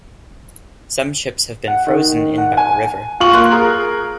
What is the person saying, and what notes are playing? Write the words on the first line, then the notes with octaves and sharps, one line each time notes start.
Some ships have been frozen in by the river.
F#5
D#3
F#5
G#5
F4 C#6 F#7
A#3 C6 F#6
G#4 A#4